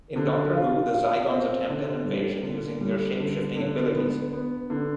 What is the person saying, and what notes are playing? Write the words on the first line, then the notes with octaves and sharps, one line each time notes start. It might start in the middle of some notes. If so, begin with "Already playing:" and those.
In "Doctor Who" the Zygons attempt an invasion using their shapeshifting abilities.
D3
F4
F4
C4
D3
G3
D3
G3
D3
D3
B3
B3
D3